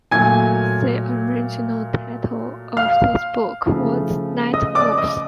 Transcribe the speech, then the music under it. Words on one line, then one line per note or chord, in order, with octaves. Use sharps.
The original title of this book was "Night Moves".
A#2 F#3 A3 G#5 G#6
F5 F6
C#3 F3 A3
D#5 D#6
D5 D6
D#5 D#6